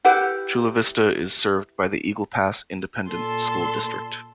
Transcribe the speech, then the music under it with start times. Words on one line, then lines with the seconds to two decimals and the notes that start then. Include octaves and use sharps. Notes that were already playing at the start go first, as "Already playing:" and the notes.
Chula Vista is served by the Eagle Pass Independent School District.
0.05 E4 G4 B4 F#5
3.10 A#2 A4 A5 C6